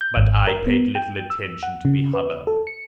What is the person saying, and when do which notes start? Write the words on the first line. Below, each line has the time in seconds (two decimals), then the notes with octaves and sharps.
But I paid little attention to the hubbub.
0.01 G6
0.16 G#1
0.47 A#4
0.67 B3
0.95 G5
1.30 E6
1.63 F#5
1.85 C#3
2.13 B4
2.47 A4
2.67 C#7